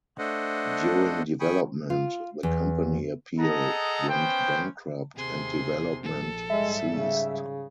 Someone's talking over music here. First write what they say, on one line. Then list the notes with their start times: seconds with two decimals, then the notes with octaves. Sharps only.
During development, the company Appeal went bankrupt and development ceased.
0.19 A3 D4 A4 C5 D#5 F#5
1.40 G5 G#5 B5 C#6 D#6
1.90 F4
2.43 E2
3.39 G#4 A4 D#5 F#5 A5 A#5
4.09 B3 C#4 C5 G5
5.17 D#2 C3 G#4 C6
6.03 A#1 A4
6.50 G#2 G3 G#3 E5
6.88 C#3